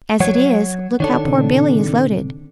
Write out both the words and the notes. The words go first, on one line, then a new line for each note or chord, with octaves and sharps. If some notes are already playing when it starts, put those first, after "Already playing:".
As it is, look how poor Billy is loaded.
F#3 C#5 F#5 G#6
D#3 D4 A4 C#5
A#2 C#3 C4